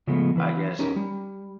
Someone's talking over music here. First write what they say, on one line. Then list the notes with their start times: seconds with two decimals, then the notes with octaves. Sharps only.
I guess,
0.07 C#3 F3 G#3 A3 B3
0.36 E3 B4
0.79 C#4 D#4 G4 A#4
0.96 G3